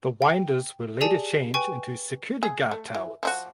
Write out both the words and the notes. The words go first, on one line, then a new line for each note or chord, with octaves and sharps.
The winders were later changed into security guard towers.
G5
G4 G#4 D5 G#5 A5
B4 G5 G#5 C#6
G#4
A3
E3
F3 D#4 F#4